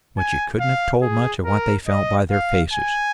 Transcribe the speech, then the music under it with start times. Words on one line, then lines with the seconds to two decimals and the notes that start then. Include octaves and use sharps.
But you couldn't have told much of what they felt by their faces.
0.18 G#5
0.60 F5
1.02 G#4
1.45 A#4
1.88 D#5
2.31 F5
2.73 G#5